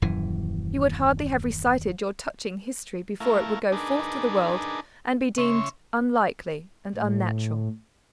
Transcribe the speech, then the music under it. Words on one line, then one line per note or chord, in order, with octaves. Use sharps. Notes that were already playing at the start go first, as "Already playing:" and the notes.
You would hardly have recited your touching history before it would go forth to the world, and be deemed unlikely and unnatural.
D#1 F#2 E3
A3 E4 A#4 F5
D4 D#4 G#4 A#4 B4 A5
C#3 C#5 E5 C6
A2